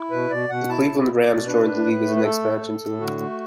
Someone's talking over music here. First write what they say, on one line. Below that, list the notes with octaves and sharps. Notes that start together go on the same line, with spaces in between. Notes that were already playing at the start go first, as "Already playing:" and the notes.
The Cleveland Rams joined the league as an expansion team.
Already playing: E4
B2 B4
B2 D5
B2 F#5
E4 A5
B2
B2
D5
B2
D4 B4
A2
A2
A3
B4
A3 A4
A2
A2
A2
D3 F#4
A3